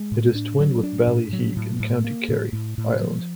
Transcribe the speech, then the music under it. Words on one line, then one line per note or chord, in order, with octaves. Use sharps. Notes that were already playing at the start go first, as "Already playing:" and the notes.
It is twinned with Ballyheigue in County Kerry, Ireland.
Already playing: G#3
A2
D4
F#3
D4
A2
F#3
A2
A2
A#3
A2
A2
A2
F3